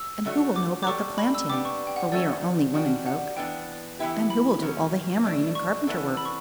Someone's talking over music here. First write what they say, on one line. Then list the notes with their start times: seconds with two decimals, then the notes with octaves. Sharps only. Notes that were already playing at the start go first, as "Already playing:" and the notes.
And who will know about the planting,--for we are only 'women folks'; and who will do all the hammering and carpenter work?
Already playing: E6
0.25 D3 A3 D4 F#4 C#5
0.56 D6
0.83 D6
0.87 G3 D4 A4 C#6
1.18 B5
1.35 E6
1.49 G3 B3 D4 D6
1.65 C#6
1.87 G5
1.96 F#5
2.12 F#3 A3 C#4 D5
2.74 G3 D4 F#4
3.06 F#5
3.37 E3 B3 D4 G5
3.99 E3 B3 E4 G4
4.30 B5
4.62 B2 F#3 C#4
5.24 B2 A3 D4
5.55 C#6
5.87 E3 B3 D4 A4
6.17 B5
6.25 C#6